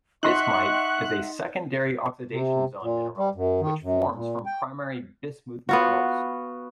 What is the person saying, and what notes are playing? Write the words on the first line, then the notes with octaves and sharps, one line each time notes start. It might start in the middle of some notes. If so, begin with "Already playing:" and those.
Bismite is a secondary oxidation zone mineral which forms from primary bismuth minerals.
D#4 E5 F#5 C6 C#6 F#6 B6
C3
A#2
G3
F#2
D#3
F#2
A#2
G5
B3 F4 F#4